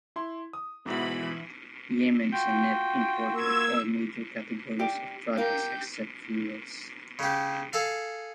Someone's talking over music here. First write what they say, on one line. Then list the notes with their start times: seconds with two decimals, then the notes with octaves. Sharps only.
Yemen is a net importer of all major categories of products except fuels.
0.16 E4 C6
0.53 D#6
0.86 G#2 B2 E3 B5
2.33 F4 F#4 G5
3.33 A#3 E6 G#6
4.79 G4 D5
5.37 G4 A#4 F5 G6
7.19 C#3 G4
7.73 G#4 A4 F5